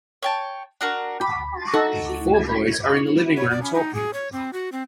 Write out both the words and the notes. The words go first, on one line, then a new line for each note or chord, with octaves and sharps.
Four boys are in the living room talking.
C#5 G5 A5
D4 F#4 A#4
B5
D#4 F#4 A4
C#5
D5
C#4
D#4
G#4
C#5
C4
F#4
C4